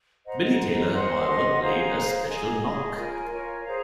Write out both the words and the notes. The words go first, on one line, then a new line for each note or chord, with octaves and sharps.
Billy Taylor, however, played a special knock.
C5 D#5 F#5 A#5
C5 D#5 F#5 A#5
C5 D#5 F#5 C6
C5 D#5 F#5 C6
G#4 C5 F5 A#5
G#4 C5 F5 A#5
G#4 D#5 G#5
G#4 D#5 G#5
F4 A#4 C#5 G#5
F4 A#4 C#5 G#5
G#4 C5 F5 A#5